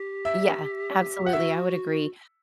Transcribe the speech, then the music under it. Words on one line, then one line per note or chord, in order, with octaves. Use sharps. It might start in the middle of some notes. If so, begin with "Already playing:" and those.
Yeah. Absolutely. I would agree.
Already playing: G4
E5
F#5
F#4 E5